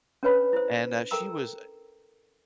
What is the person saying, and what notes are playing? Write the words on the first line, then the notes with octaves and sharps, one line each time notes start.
and, uh, she was, uh,
C#4 D4 B4 C#5 B5
E4 C5
A4 A#4 G5 A#5 E6